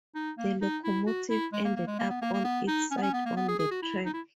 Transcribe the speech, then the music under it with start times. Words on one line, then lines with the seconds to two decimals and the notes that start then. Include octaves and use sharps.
The locomotive ended up on its side on the track.
0.15 D#4
0.38 A#3
0.62 D#4
0.84 E4
1.07 F#4
1.30 E4
1.53 G#3
1.65 A#3
1.76 A#3
1.87 G#3
1.99 A#3
2.10 B3
2.22 A#3
2.33 A#3
2.45 B3
2.68 D#4
2.91 C#4
2.97 B3
3.02 C#4
3.13 B3
3.26 A#3
3.37 B3
3.49 G#4
3.59 G#4
3.71 F#4
3.82 E4
4.06 D#4
4.14 E4